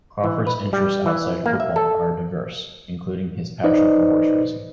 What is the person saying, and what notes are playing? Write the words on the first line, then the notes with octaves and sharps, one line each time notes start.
Crawford's interests outside football are diverse, including his passion for horse racing.
E3
B4
G3
E3
A#3
E5
A4
D#4 B4 C5 D5 D#5